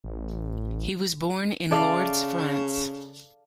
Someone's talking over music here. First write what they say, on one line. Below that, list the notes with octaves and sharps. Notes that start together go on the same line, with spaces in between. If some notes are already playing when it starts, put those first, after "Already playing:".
He was born in Lourdes, France.
A1
C#3 A4 D5 F5